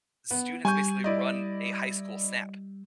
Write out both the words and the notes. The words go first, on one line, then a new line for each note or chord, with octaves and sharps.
Students basically run a high school Snap,
B3
G3 G#5 C#6 G6
E4 D5 D#5